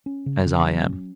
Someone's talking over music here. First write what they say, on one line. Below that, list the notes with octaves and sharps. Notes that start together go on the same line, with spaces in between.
"As I am."
C#4
C#3
C#3
F#3
C#4